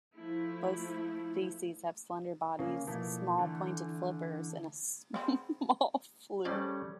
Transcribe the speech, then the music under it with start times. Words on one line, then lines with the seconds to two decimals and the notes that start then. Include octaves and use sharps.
Both species have slender bodies, small, pointed flippers and a small fluke.
0.15 F3 A3 E4
2.59 C#3 A#3
2.87 B2 F3 A3 A#3 E4
3.38 D3 E3 A3
5.14 B3 C4 G#4
6.45 G3 A3 C#4 G#4 C5 D5